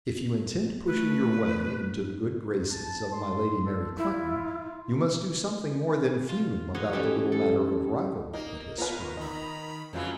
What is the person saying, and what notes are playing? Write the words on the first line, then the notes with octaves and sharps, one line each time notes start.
"If you intend pushing your way into the good graces of my lady Mary Clinton, you must do something more than fume about the little matter of rivalry that has sprung up."
A3 B4
A5
C6
A4
E4 F4
F4
D#4 F#4 G4 C#5 D#5 F5
E3 C#4 D#4 G4 A4
A4
A#3 D#4
B3 F4 B4 A#5
D#3 D#5 B5
F2 C#3 E3 F#3 G#3 F4